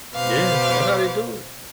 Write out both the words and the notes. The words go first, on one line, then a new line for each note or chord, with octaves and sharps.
Yeah, that how they do it.
B2 B4 C5 F5 D6